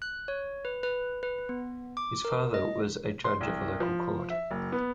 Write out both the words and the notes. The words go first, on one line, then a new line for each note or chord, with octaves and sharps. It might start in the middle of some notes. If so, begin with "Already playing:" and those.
His father was a judge of local court.
F#6
C#5
B4
B4
B4
B3
D6
A#4
D#5
C6
C2
F3
E5
F#1
B3